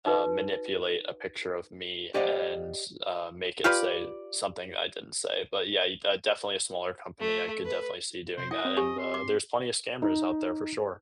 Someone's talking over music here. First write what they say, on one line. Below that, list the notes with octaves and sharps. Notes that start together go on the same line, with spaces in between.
uh, manipulate a picture of me and, uh, make it say something I didn't say, but yeah, you uh, definitely a smaller company, I could definitely see doing that, and, uh, there's plenty of scammers out there for sure.
D#4 F#4 B4
G4 C5 D5 D#5 F5 F#5
F4 G4 B4 D5
A3
B4
C3 C5
E4 D#5 G5
C4
G4 G#5
C6
D6
D#4